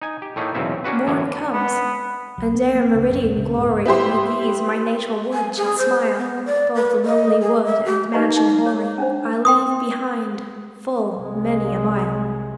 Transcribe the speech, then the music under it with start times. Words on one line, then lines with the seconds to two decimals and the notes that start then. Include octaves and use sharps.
"Morn comes--and ere meridian glory O'er these, my natal woods, shall smile, Both lonely wood and mansion hoary I'll leave behind, full many a mile."
0.02 D#4 G#5
0.22 G4
0.36 A2 A3 A#3 D#4 G#4
0.55 B1 E2 C#3 C4 C#4 E5
0.84 A#3 C#4 D4 F#4 B4
1.07 F#2 A2 D3 E3
1.53 B3
2.38 B1
2.55 B3
2.75 A#3
2.95 C#2
3.10 F#1
3.24 D#1
3.37 C#2
3.58 G#2
3.86 B3 E4 G4 C5
5.33 G#5
5.57 G#4
5.78 C5
6.18 B3
6.46 D5
6.75 B4
7.06 D#5
7.41 G#4
7.65 E5
7.85 G4
8.14 D#4 B4 D#5 F5 A#5 C#6
8.36 D#4
8.66 C#5
8.98 C#4 D4 C5
9.45 G5 C6 D#6
11.18 C2 G#3